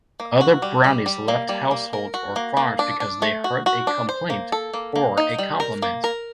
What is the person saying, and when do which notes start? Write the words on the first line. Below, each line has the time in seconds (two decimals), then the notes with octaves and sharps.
Other brownies left households or farms because they heard a complaint, or a compliment.
0.20 A#3
0.41 F#4
0.62 G3
0.84 G3
1.06 G3
1.28 A#3
1.49 G3
1.71 A#3
1.93 A#4
2.14 F#4
2.36 A#3
2.57 A#3
2.79 D4
3.00 D4
3.22 A3
3.44 F#4
3.66 F#4
3.87 D4
4.09 C5
4.30 A#3
4.52 A4
4.74 A#3
4.96 A#3
5.17 D#4
5.39 G3
5.60 A#4
5.82 A#3
6.04 A#4